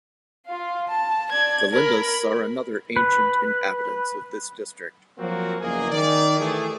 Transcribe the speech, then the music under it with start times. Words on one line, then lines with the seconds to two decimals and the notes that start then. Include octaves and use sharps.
The Limbus are another ancient inhabitants of this district.
0.46 F4 F5
0.88 A5
1.32 D5 G#6
1.71 A#4 B5
2.96 B4
5.19 F3 F#3 A#3 C4 F#4
5.61 F#1 E2 A#3 G#4 D#5 G#5
5.91 D#3 D5
6.39 E3 A3 G4 G#4